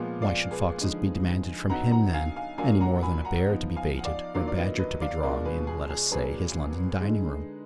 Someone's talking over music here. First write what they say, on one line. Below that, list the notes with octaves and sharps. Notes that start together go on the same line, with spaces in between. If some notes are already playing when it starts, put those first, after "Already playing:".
Why should foxes be demanded from him then any more than a bear to be baited, or a badger to be drawn, in, let us say, his London dining-room?
Already playing: A#2 F3 G#3 B3 F4
D5 F5
G#4 B4
D3 F3 G#3 D#4
D3 F#3 B3 D#4 F#5 A#5
F#5 A#5
F5 G#5
F5 G#5
F#3 A#3 D4 F4 F5 G#5
F#5 A#5
G#5 B5
F#5 A#5
F3 B3 D#4
F5 G#5
F#5
D5 F5
D#3 F#3 A#3 D4 F4 D5 F5
D5
B4 D#5
B4 D#5
D5 F5
B2 G#3 D4 F4 A#4 D5
G#4 B4
G#4
G#4
A#2 F#3 D4 G#4 B4
D3 G#3 D#4